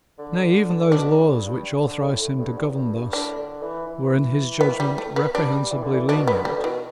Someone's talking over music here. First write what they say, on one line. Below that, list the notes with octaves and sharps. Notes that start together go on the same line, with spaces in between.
Nay, even those laws which authorised him to govern thus were in his judgment reprehensibly lenient.
D3
B2 D4
A2
G2
G2
D3
A2
A2
G2
E2
G2
G2
A2 D4
D3
E3
E3
B3
G3
A3
B3
G3 D4
E3
D3
E3
B2 D4
B3
D3
G3
B2
E3